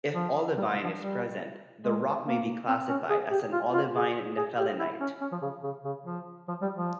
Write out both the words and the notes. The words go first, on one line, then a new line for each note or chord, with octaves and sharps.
If olivine is present, the rock may be classified as an olivine nephelinite.
F3
G3
F3
G3
G#3
A#3
C4
C#4
G#4
G4
F4
F4
G#4
G#4
G4
E4
C#4
C#4
F3
C#3
C#3
C#3
F3
F3
G3
F3